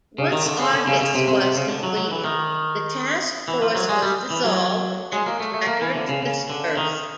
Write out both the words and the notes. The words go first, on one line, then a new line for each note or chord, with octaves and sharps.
Once "Argus" was completed, the task force was dissolved, and its records dispersed.
C#3
D#3
D3
C#3
D3
C#3
C#3
C3
C3
C3
C#3
D3
F#3
F#3
E3
D#3
E3
F3
F#3
G#3
G3
E3
F#3
G#3
A#3
A3
A3
A#3
E3
D3
C#3
C#3
D3
D#3